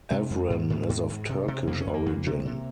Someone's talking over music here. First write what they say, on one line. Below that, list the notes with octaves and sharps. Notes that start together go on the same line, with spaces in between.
Evren is of Turkish origin.
C3 G#3
F2
G#2
G#2
G#2
G#2
C3
C3
F2 A#3
C#4
F2
A#3
F2
C3
C3